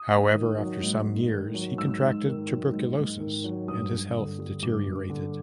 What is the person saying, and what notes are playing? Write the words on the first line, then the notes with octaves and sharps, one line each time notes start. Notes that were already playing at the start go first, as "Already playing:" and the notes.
However after some years he contracted tuberculosis and his health deteriorated.
Already playing: D#6
G#2
D#3
F#3
G#2
G#2
D#3
F#3
G#2 E6
G#2
D#3
F#3
G#2
G#2
D#3
F#3
G2 D#6
G2
D3
G3
G2 D6
G2
D3